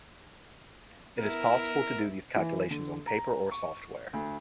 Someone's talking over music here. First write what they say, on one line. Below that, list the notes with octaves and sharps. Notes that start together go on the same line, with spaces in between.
It is possible to do these calculations on paper or software.
B3 E4 A#4
E3
D3
A#5
C#6
D2